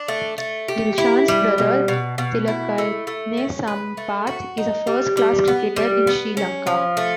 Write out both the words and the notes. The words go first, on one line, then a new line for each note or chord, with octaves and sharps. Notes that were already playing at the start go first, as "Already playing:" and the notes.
Dilshan's brother, Tillakaratne Sampath, is a first-class cricketer in Sri Lanka.
Already playing: D4
A3
A3
G4
E4
G3
B2
B2
B2
E4
A3
A3
C#4
B4
A3
F#4
D#4
G3
G3
B3
G3
B3
C#4
F3
A3